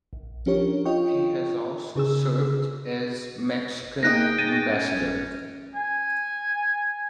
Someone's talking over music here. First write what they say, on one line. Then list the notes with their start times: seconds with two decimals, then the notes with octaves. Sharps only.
He has also served as Mexican Ambassador.
0.13 A#1
0.46 F3 C#4 D4 G4 A#4 C#5
0.85 F4 C#5 D#5 G5 C#6
1.96 C#3 G#4 E6
4.03 A#3 D#4 G#4 D#5 G5 F#6 A#6
4.38 A6 A#6 D#7
4.69 C#4
5.75 G#5